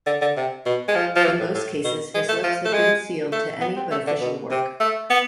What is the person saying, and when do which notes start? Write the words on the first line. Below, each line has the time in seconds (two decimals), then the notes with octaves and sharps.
In most cases, his lips had been sealed to any but official work.
0.07 D3
0.22 D3
0.37 C3
0.66 B2
0.89 G#3
0.96 F3
1.16 F3
1.25 E3
1.40 A2
1.55 A2
1.85 B2
2.15 G#3
2.29 A3
2.44 F3
2.65 A3
2.74 G#3
3.33 A3
3.61 B3
3.77 C4
3.91 A3
4.07 D3
4.21 B2
4.51 C3
4.80 A3
5.10 B3